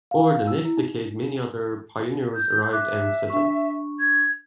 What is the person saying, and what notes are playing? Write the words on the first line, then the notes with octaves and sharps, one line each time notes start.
Over the next decade many other pioneers arrived and settled.
F5
E6
E4
D#4
G6
E5 D6 F#6
D4 C#6
G#6